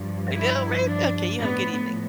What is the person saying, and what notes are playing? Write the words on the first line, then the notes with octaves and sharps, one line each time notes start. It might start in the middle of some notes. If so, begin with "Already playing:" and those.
I know, right? Okay, you have a good evening.
Already playing: G2 F3
E4
D4
A2 F3 B3